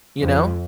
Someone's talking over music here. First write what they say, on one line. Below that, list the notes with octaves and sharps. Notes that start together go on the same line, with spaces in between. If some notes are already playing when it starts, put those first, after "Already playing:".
You know?
F2